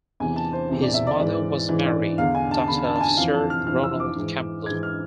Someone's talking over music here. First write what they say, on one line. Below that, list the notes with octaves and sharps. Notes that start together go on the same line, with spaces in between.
His mother was Mary, daughter of Sir Ronald Campbell.
E2 C3 E3 G#5
A5
C5
E2 C3 E3
D5
E5
D5
G#2 E3
G#2 E3
D5
E2 D3 F5
G#5
A5
E2 D3 B5
A5
A5
G#5
F2 E3 F5
A5
F6
F2 E3 F6
E6
D6
G#2 E3
G#2 E3 G#6
F6